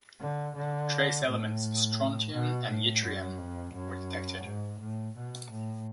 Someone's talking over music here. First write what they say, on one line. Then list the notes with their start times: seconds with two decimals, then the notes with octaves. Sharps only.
Trace elements, strontium and yttrium, were detected.
0.21 D3
0.56 D3
1.26 A2
2.32 B2
2.69 A2
3.03 F#2
3.38 F2
3.74 F#2
4.44 G#2
4.80 A2
5.16 B2
5.51 A2